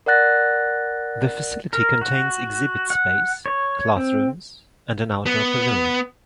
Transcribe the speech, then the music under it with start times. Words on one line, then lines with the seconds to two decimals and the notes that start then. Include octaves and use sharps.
The facility contains exhibit space, classrooms, and an outdoor pavilion.
0.06 A#4 D5 F#5 F#6 A6 A#6
1.73 A#4
2.01 F#4
2.90 F#5
3.46 C#5
3.97 C4
5.26 B3